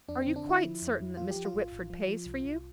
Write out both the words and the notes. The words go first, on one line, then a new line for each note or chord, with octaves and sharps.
"Are you quite certain that Mr. Whitford pays for you."
F2 D4
D3 C4
D4
D3 E4
F3
F2
F2
F3 F4
G4
F3
F4
A1
F4
A1
F3
F3
C2
C2